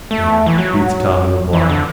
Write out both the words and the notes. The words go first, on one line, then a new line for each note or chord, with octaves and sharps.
"Yeah," breathed Tom in reply.
A3
E3
F#3
E3
D3